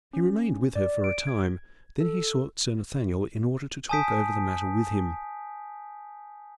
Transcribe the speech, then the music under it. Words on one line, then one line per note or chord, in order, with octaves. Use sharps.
He remained with her for a time, then he sought Sir Nathaniel in order to talk over the matter with him.
C#4
D5
D7
G#6
A4
G#5 A5 D#6 G6 B6 D7